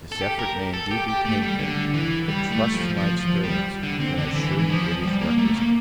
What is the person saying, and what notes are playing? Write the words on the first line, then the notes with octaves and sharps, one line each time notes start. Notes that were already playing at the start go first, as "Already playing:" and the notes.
This effort may indeed be painful; but trust to my experience, when I assure you it is requisite.
A4
G4
A#4
A4
G4
G4
A3
G3
D3
E3
G3
A3
F3
F3
F3
G3
D3
C4
D3
E3
E3
F3
G3
A#3
A3
A#3